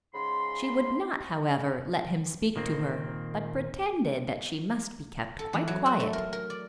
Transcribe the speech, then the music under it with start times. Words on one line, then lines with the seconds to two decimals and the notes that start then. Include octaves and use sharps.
She would not, however, let him speak to her, but pretended that she must be kept quite quiet.
0.14 G#2 C#3 B5 C6
2.56 A#2 D#3 A#3 C4
5.39 A4
5.53 E3
5.68 F#3
5.86 F#4
6.00 A3
6.13 A#4
6.33 A#4
6.50 D5